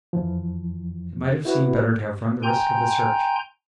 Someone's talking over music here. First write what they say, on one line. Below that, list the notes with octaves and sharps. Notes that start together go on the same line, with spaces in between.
It might have seemed better to have run the risk of a search.
F2 E3 F3
E4 F#4 B4
G5 G#5 A#5 C6 G6